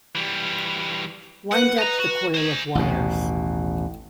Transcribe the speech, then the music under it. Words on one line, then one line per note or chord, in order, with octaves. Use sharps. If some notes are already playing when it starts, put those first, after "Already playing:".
Wind up the coil of wires.
E3 G3
B4 F#5
D#5 A#5
F#4
C5 G#5
A1 D#2 B2